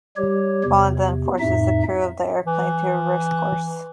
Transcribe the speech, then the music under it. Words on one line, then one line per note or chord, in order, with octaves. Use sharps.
Bond then forces the crew of the airplane to reverse course.
G3 G4 C#5
E2 C3
F2 A2 D#4 E5
E3